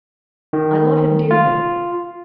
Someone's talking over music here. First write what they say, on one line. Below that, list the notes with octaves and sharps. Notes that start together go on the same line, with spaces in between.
I love him dearly.
D#3
F4